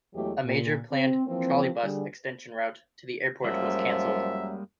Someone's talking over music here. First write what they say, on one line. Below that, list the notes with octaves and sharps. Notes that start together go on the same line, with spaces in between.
A major planned Trolleybus extension route to the airport was cancelled.
E2 E3 F#3 G#3 A3 G4
A#2
C4
E3 F3 A#3 C4
D3 G3 G#4
F#2 F3 G3 G#3 A#3 E5